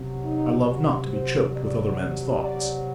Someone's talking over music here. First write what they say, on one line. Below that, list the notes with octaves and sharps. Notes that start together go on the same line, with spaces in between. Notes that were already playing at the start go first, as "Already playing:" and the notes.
I love not to be choked with other men's thoughts.
Already playing: C3 F#3
D#4
F#4
C5
D5
D5